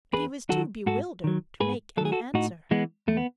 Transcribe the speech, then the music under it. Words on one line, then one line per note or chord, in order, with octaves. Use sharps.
But he was too bewildered to make any answer.
E2 G#4 B4
D#3 F#3 F#4 A4
G#2 F#4 A4
D#3 F#3
G#2 G#4 B4
D#3 F#3 G#4 A4
F#4 A4
A2 D#4 F#4
E3 G#3 B3
E2 A3
B3